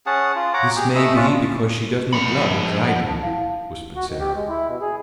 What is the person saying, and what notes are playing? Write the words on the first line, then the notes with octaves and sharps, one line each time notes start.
"This may be because she does not love as I do," whispered Sarah.
C#4 G#4 F#5 A5
F4
C#5 F#5 A#5 D6
G4 G#4
A3 D#5 B5 E6
C#4 D4 F4 D5
F3 B5 C#7 F7
F#5
A5
E4 F5
F#4
D#3
G4
G#3
E4
B2
G#4